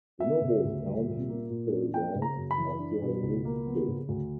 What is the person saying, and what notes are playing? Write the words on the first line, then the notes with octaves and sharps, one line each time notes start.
The Nobles County Fairgrounds are still in use today.
B3 E5
C#3
D2
G3
A#2
A#3
A#2
D4
A#3 G5
C#3
A#5
F#2
B5
E3
D4
B2
C#2
A#3
B3
C#3
D2